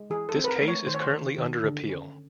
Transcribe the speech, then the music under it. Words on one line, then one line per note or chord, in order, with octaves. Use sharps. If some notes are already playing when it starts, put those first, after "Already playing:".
This case is currently under appeal.
Already playing: G#3
E3 G#4
A4
C4
B4
A#4
A3
C#5
D#3 C5
C#5
C5
D#3
D#3
D3
C#4